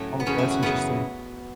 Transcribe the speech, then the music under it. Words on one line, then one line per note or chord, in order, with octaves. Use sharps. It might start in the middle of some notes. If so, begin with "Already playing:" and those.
Okay, that's interesting.
Already playing: A2 F#3 A3 C#4
B3
F#2 C#3 E3 C#4
E4
F#4
F#2 C#3 E3 B3